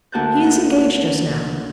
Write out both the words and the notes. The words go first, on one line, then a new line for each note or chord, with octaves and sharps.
He is engaged just now.
D2 A#3 F#4 A5 F#6 G6